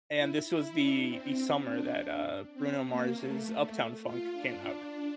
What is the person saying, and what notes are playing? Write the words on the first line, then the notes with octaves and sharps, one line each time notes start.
and this was the the summer that, uh, Bruno Mars' Uptown Funk came out,
E4
E4
D4
C4
D4
C4
A#3
A3
F4
D4